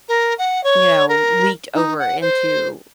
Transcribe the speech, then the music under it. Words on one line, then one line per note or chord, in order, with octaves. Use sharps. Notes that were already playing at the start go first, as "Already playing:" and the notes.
you know, leaked over into,
A#4
F#5
C#5
A#4
D#4
F#5
C5